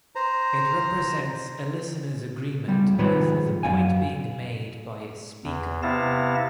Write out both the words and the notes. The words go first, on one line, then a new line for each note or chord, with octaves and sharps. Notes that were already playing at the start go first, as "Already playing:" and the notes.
It represents a listener's agreement with the point being made by a speaker.
C5 A#5
C#2 G3
G#2 D#3 F3 B4 C#5
F#2 G#3 F5 G#5
E2
C3 B3 E4 F5 A5 A#6